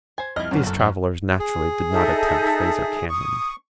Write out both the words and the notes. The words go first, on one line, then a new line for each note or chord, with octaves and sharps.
These travellers naturally did not attempt Fraser Canyon.
C5 G#5 G#6
C2 F2 E4 D#5 F6
G1 F#2 A#2 B3 C#4
F#1 F#4 A4
G3
G#4
D#4 A4 E5
C#6 D#6